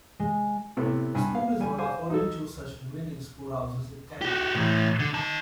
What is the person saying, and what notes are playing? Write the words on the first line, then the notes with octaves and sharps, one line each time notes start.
The school is one of only two such remaining schoolhouses in Canada.
G#3
A2 C3 A3 B3
G2 G#5
F5
G3 G#5
C5 F5 G#5
D#4 A4
F#4 G4
A2 E3
D3
D#3 A5